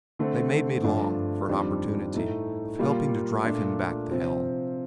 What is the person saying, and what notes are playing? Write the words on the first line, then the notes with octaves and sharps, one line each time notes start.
They made me long for an opportunity of helping to drive him back to hell.
D3 A3 C4
G2 F3 A3 D4 F4
F2 D#3 G3 D4 F4
A2 A3 D#4
A#2 G3 A#3 F4
A#2 A3 D4 F4
C3 F3 C4